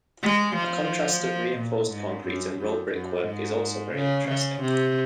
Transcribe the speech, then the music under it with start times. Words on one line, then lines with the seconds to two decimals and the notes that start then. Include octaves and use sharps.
A contrast of reinforced concrete and raw brickwork is also very interesting.
0.22 G#3
0.56 F3
1.24 F3
1.57 A#2
1.92 G#2
2.26 F#2
2.59 F#2
2.93 F#2
3.27 G#2
3.95 C#3
4.29 C#3
4.62 C3